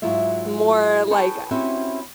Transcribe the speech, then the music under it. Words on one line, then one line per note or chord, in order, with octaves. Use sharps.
more like a
G#2 F#3 E4 F4 E5
G#4 B4 C#5 G5 A5
C4 C#4 E4 F#4 G4 E5